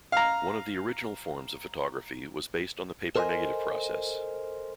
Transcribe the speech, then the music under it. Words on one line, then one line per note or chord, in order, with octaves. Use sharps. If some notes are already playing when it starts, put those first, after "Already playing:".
One of the original forms of photography was based on the paper negative process.
F5 A#5
A4 A#4 C5 D5 D#5 G#5